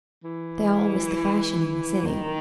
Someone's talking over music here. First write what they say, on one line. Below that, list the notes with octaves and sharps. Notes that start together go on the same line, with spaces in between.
They all was the fashion in the city.
E3
D#3